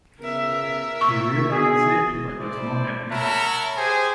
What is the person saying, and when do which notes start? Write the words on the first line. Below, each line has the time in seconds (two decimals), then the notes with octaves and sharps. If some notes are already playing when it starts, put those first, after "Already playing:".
He realizes it but doesn't admit it.
0.21 C#3 B3 A#4 E5
1.01 A#3 C4 C#6
1.52 B3 F#4 G#4
2.40 E4 C5 D5
3.12 A#4 C#5 E5 F#5 A5 B5
3.77 G4 G#4 C5 G#5